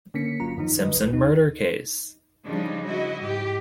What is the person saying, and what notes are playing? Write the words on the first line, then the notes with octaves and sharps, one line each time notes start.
Simpson murder case.
D3 A#3 C#4 B6 C#7
G1 F#3 F4 A#5
F#2 D#3 F3 D#4
D3 F#3 B4 D#5
A#1
D#2 D#4
C#3 F3 G3 G#3 D4 D#4
E4 F#4 D#5
G#2 G4